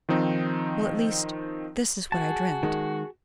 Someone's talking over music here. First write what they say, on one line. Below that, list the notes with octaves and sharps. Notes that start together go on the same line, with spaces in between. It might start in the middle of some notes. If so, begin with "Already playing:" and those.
Well, at least, this is what I dreamt.
D#3 F3 C4 D#4
F#4 G#4 A5
D#3 G#3